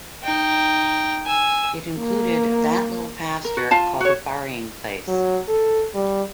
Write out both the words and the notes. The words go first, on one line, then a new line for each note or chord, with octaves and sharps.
It included "that little pasture called the burying place".
D#4 G5
G#5 E6
A#3
A#4
F#4
F4 F5 A5
F#4 C#5
F#3
A4
G3